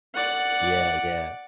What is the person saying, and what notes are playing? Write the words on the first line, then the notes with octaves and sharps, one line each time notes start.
Yeah, yeah.
D5 F#5